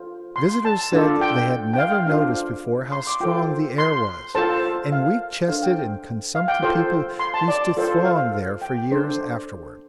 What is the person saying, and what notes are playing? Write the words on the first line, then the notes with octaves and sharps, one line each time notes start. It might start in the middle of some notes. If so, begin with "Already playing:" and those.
Visitors said they had never noticed before how strong the air was, and weak-chested and consumptive people used to throng there for years afterwards.
Already playing: F4 A4 C5
C6
A5
D4 F4 A4
G5
G5
F5
F5
D4 F4 A4 C5 F5
C6
D6
F4 A4 C5 G5
C6
F4 A4 C5 A5
F5
D4 A4 C5 F5
G5
F5
G5
F4 A4 C5
C6
A5
D5
F4 A4 C5
F5
G5
D4 A4 C5